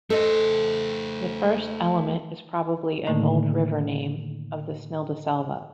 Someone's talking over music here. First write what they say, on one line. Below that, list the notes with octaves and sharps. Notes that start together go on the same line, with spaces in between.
The first element is probably an old river name of the Snilldalselva.
A3 A4 C5 D#5
A2 D3 D#3 A3 A#3 D#4